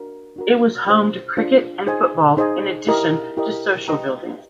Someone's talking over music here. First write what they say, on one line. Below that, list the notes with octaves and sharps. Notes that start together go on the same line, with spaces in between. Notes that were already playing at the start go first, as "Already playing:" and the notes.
It was home to cricket and football in addition to social buildings.
Already playing: D4 F#4 A#4
D4 F#4 A#4
D4 F4 G#4 C5
D4 F4 G#4 C5
D#4 G#4 C5 D#5 G#5
D#4 G#4 C5 D#5 G#5
E4 G4 A#4 D#5
E4 G4 A#4 D#5
G4 B4 D#5 G5 A#5